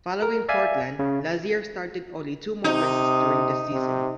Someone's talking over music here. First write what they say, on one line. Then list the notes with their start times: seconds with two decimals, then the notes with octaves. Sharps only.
Following Portland, Lazier started only two more races during the season.
0.22 A#4
0.49 D5 E5 F5 G#5
0.99 C#3
2.64 C3 D#4
3.72 C3